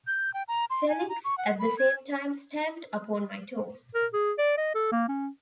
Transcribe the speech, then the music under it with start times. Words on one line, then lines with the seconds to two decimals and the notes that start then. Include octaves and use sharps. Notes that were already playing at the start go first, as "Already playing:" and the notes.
Felix, at the same time, stamped upon my toes.
0.07 G6
0.34 G5
0.48 A#5
0.70 C6
0.88 G#5
1.09 A#5
1.24 C#6
1.38 F#5
1.59 B5
1.79 G#6
3.95 A#4
4.14 G#4
4.38 D5
4.57 D#5
4.75 A4
4.92 A#3
5.08 C#4